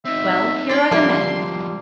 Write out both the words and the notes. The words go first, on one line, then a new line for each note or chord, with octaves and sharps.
"Well, here are the men."
C4 D#4 E5
D5 G5 C6
F2 G#2 C3 F3 G3 A#3